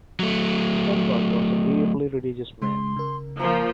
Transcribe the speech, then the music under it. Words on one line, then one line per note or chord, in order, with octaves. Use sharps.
Sternberg was a deeply religious man.
F#3 A3
C#3 G#3 C6
C#3 A#4
F3 A#3 A#5